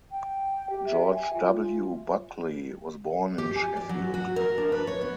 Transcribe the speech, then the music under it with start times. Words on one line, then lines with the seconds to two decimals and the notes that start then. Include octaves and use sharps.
George W. Buckley was born in Sheffield.
0.12 G5
0.70 G4
0.86 E5
1.14 G#5
1.34 F4
3.38 G4
3.56 G#5
3.77 D5
3.89 F#3
4.14 F#4
4.36 A#4
4.58 D4
4.72 B4
4.87 C#5
5.01 B3